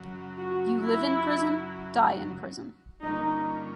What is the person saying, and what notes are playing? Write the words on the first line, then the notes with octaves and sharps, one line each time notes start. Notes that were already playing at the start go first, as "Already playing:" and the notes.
You live in prison, die in prison.
Already playing: F#2 C#3 F#3
F#4
E4
G2 D3 F3 A#3 C#4 D#4